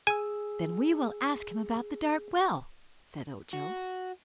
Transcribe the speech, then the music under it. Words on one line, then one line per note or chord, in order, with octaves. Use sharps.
"Then we will ask him about the dark well," said Ojo.
G#4 G#5 E6
F#4